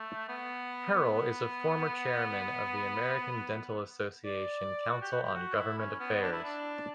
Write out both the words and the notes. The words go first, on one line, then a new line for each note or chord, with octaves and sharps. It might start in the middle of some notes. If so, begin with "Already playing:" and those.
Harrell is a former chairman of the American Dental Association Council on Governmental Affairs.
Already playing: A3
B3
B3
D5
F#4
G4
F#4
G4
F#4
E4
C#4
B3
D4
E4
D4